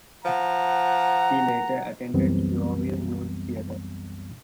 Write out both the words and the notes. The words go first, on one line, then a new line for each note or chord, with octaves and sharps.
She later attended Yeovil Youth Theatre.
F3 F#5 A#5
C2 F#2 E3 G3 B3 C4